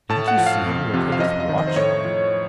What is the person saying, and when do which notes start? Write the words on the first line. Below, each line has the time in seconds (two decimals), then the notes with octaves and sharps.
Didn't you see him look at his watch?
0.09 A2 A5
0.28 F#5
0.37 F3
0.46 F5
0.66 F2
0.94 C3 F3
1.12 F5
1.20 F#2 D#5
1.40 D#5
1.49 D#3
1.58 D#5
1.67 C5
1.76 A2 C#5
2.05 F3